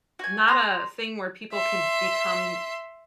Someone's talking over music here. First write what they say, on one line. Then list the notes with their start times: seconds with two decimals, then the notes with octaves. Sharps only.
not a thing where people can become
0.19 F#4 G#5
0.48 A#5 C6
1.53 E5 C6